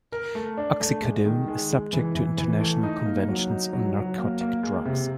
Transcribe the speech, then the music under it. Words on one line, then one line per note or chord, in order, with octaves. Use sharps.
Oxycodone is subject to international conventions on narcotic drugs.
A#4
A3
D4
A3
G#3
D#3
G#3
G#3
E3
E3
E3
A3
D#4
A#3
F#3
D#4
F#3
F#3
A#3
A#3
G#3
C3